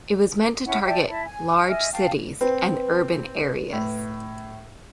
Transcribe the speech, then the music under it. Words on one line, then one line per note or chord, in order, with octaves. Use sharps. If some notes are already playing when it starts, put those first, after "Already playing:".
It was meant to target large cities and urban areas.
C#4 E4 F#5
D5 E5 G5 A5
E4 A5
G#5
D#5 E5 G#5 F6
F5 G5 A5
C4 B4
A2